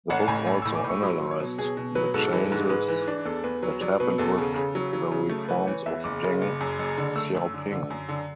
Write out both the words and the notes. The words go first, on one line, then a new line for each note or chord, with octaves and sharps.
The book also analyzed the changes that happened with the reforms of Deng Xiaoping.
A1 F#5
A2 G#5
A1
A2 E6
D6
A2
C#6
F#3 B5
F#3
C#5
B2
B2 G#4
B2
F#3 B4
G#2 A4
E3
G#2
G#2 B4
E3
D4
E2 A4
E2 B4
F#3 B4
F#3 D5
B2 B4
E2 A4
C#3
C#3
F#3
F#3
C#3
A3
E3 B4
E3 C#5
E2 E5
F#1 D6
C#3
F#1
F#2
F#1
D3
A3 E6
F#2
D3
D3
F#2
D3